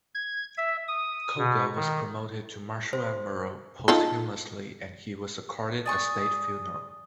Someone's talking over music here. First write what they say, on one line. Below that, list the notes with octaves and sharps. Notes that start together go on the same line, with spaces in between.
Koga was promoted to Marshal Admiral posthumously and he was accorded a state funeral.
G#6
E5
D#6
B2
D#3
C5
D#4 F4 A4
D5 G#5 C#6 D#6